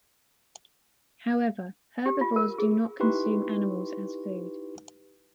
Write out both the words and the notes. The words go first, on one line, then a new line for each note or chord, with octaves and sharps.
However, herbivores do not consume animals as food.
G4
F4
A#4
G#4
D#4 E4 G4 B4 C6 C#6